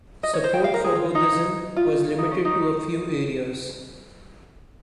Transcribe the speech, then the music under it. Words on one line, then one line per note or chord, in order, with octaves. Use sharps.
Support for Buddhism was limited to a few areas.
D#5
C#5
C5
G5
F5
A#4
G#4
F4
D#4
F4
D#4
C#4
D#4